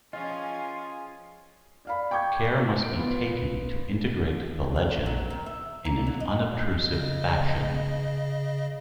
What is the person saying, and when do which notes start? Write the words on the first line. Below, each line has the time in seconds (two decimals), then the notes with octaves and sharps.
Care must be taken to integrate the legend in an unobtrusive fashion.
0.13 F3 C#4 F4 G#4 D#5 G#5
1.85 D5 F5 B5
2.11 G5 C#6 D6 G6 G#6
2.83 D7
2.97 B3 F4
4.76 D4
5.06 F#3
5.30 D#3
5.46 E5
5.85 A#3
6.07 F#3
6.20 D#5
6.92 C#3 D#5